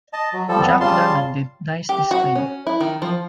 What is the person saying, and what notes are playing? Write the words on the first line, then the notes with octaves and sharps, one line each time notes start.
Jack Langan denies this claim.
D#5 A5
F#3
F3 G3 A4
F2 B3
C#3 G3 F4 A5 C6
G4
F#4
C#4
E4
D#3
F3